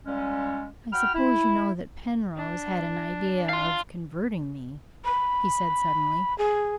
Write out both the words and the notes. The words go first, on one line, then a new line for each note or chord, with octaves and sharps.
"I suppose you know that Penrose had an idea of converting me?" he said, suddenly.
A#2 G3 G#3 C#4
F#4 G5 B5 F6
E4
D4
F5 C6
B5
G#4